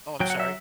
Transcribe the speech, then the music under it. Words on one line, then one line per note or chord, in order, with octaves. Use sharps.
Oh, I'm sorry
F#3 G5
F#5
E5